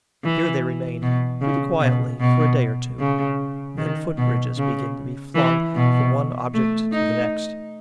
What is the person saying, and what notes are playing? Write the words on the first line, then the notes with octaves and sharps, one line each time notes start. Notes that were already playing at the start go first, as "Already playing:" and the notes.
Here they remain, pretty quietly, for a day or two; then foot-bridges begin to be flung from one object to the next.
E3
B2
C#3
B2
B2
C#3
D#3
B2
C#3
E3
B2
A3
D#4